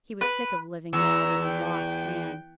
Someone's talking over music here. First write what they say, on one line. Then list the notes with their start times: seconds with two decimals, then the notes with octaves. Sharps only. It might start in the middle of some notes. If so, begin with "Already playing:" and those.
He was sick of living now that he'd lost Anne.
0.21 B4
0.93 E2 A#5 E6
1.45 G5